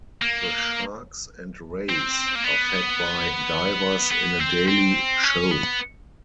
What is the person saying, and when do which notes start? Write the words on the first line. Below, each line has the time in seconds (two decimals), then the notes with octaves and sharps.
The sharks and rays are fed by divers in a daily show.
0.22 A#3
1.89 C4
2.35 A#3
2.44 B3
4.12 B3
4.40 C4
4.67 C4
5.24 C#4
5.51 B3